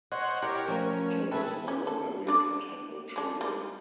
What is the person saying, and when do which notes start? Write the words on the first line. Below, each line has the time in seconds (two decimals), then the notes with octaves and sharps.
Thomas never married and had no children.
0.12 C5 C#5 D#5 F#5
0.42 E4 G4 A#4 C#5
0.68 F3 A3 C#4 A#4
1.32 G#4 A4 B4 E5 G5
1.67 C#4 A#4
1.87 A4
2.27 D3 D4 D5
3.16 G#3 D4
3.41 G3 G#3 D#4